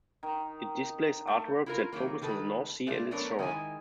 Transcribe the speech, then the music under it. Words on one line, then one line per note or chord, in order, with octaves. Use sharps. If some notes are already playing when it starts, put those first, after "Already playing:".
It displays artworks that focus on the North Sea and its shore.
D#3
A3
E4 F4 A#4
D#3 F#3 A#3
D#3 G#3 A4 B4
G#3 A3 F4 D5
F#3 A3 B3 D4 A#4 C#5
D#3 G#3 E4 G#5